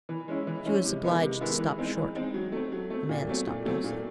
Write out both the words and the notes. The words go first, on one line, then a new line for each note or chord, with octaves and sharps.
She was obliged to stop short: the man stopped also.
E3
G#3 C#4 E4
E3
G#3 C#4 E4
C3
D#3 G#3 B3 E4
C3
D#3 G#3 B3 E4
E3
G#3 C4 D#4
E3
G#3 C4 D#4
F#3
A3 C4
F#3
A3 C4
A#2
F#3 A3 C4
A#2
F#3 A3 C4
A#2